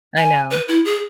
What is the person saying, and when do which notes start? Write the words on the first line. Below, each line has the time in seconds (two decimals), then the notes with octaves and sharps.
I know.
0.17 G#5
0.51 B4
0.68 E4
0.85 G#4